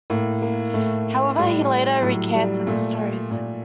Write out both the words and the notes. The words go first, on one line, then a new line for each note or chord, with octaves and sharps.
However, he later recanted the stories.
A2 A#3
A#3
A2 A3
A2 G3
A2 F#3
G3
A#2 A3
A#2